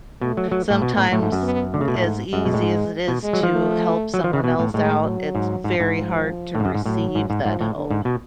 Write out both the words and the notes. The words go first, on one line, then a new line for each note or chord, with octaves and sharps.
Sometimes, eh, as easy as it is to help someone else out, it's very hard to receive that help.
B2 A3
F#3
F#3
A2
B2 B3
A2
A2 A3
G#2
F#2
B3
D3 A3
C#3
B2
A2
G#2
F#2 G#3
B2
A2
G#2
B2
G#3
F#3
F3
A3
F#3
F3
C#3
B2 B3
A2
A2 G#3
F#3
G#2
G#2
G#2
F3
A2
G#2
F#2
G#2
A2 F#3
G#2
G#2
G#2 F3
A2
D3
G#2
B2